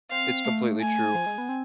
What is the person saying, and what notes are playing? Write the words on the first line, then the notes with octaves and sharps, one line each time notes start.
It's completely true,
C4 F5
A3
G#5
F3
G#3
B3
C4